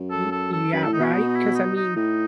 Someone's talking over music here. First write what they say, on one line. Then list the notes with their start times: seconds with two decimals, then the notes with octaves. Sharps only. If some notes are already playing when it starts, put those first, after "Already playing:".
Y yeah, right? 'Cause, I mean
Already playing: F#2
0.10 A4
0.31 A4
0.53 A4
0.72 F#2 B4
0.82 A2 A4
0.93 D#4
1.00 B2 C#4
1.14 D#4
1.29 D#4
1.35 E4
1.55 D#4
1.76 D#4
1.96 A2 D#4